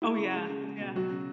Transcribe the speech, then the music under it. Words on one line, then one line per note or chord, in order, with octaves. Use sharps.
Oh yeah, yeah.
G#3 E4
C#3
G#3
C#3
G#3
B2
F#3 F#4
C#3